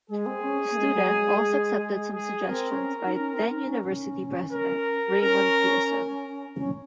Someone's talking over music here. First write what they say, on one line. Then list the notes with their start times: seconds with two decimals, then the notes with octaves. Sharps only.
"The Student" also accepted some suggestions by then university president Raymond Pearson.
0.09 G#3 G#4
0.26 C4
0.43 C#4
0.71 A#3
0.78 G#3
0.95 F#3
1.12 G#3
1.79 G#4
2.14 G#4
2.48 C4 A#4
2.71 C#4
3.05 D#4
3.17 C#4
3.34 C4
3.50 D#4
3.68 C#4
3.84 C#4
4.53 A#4
5.21 C#4 A#4
6.57 C#4